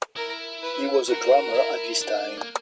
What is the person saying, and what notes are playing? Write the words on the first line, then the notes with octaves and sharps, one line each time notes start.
He was a drummer at this time.
E4 A#4
B4
F#4 A#4
E4
D4
A#3